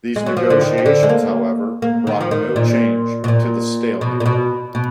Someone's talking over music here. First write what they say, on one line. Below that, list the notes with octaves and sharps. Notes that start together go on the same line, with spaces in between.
These negotiations, however, brought no change to the stalemate.
G#3
F#3
F3
D3
D#3
D#3
D3
G#3
A#3
A#3
D#3
F3
D#3
A#2
B2
A#2
B2
A#2
B2
B2